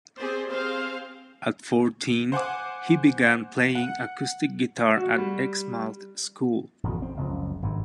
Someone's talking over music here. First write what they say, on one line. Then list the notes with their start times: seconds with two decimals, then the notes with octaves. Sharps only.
At fourteen he began playing acoustic guitar at Exmouth school.
0.18 C4 G4 G#4 C5 D5
0.50 C4 G#4 C5 F5
2.32 C5 F#5 G#5 D6
3.75 F#5
4.96 F#4
5.18 G3
6.83 A1 F2 B2 D3
7.02 C4
7.16 F#1 C#2 F3
7.62 G#1 G2